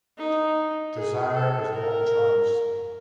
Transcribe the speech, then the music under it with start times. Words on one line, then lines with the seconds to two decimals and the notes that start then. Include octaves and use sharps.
Desire is what drives me.
0.18 D#4
0.96 G#4
1.34 A4
1.73 A#4